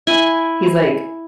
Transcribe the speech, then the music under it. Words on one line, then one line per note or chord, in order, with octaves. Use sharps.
He's, like,
E4 G#5